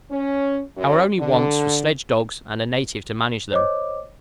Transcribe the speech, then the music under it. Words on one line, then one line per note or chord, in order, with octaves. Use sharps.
Our only wants were sledge-dogs and a native to manage them.
C#4
F#2
D3
C5 C#5 D#5 D6